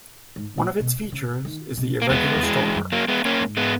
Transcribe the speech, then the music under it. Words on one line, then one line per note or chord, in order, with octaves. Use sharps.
One of its features is the irregular stonework.
G#2
A#2
B2
C#3
D#3
B2
A#3
E2 G#3 B3
E2
E3 G#3
F#2
F#3 A#3
G#3 B3
A#3 C#4
G#2
G#3 B3